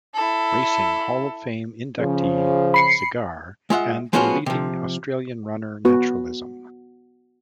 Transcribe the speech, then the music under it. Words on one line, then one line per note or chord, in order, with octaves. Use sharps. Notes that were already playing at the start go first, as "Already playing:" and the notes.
Racing Hall of Fame inductee Cigar and the leading Australian runner Naturalism.
E4 A4
C#3 F3
B5 C7 C#7
G#3 F4 E5 F#5
F3 G#3 B3 C#4 F4 F#4
C3 F3
B3 F#4